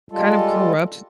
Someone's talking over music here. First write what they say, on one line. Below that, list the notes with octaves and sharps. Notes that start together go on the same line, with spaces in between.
kind of corrupt
G3 G#3 F4 A4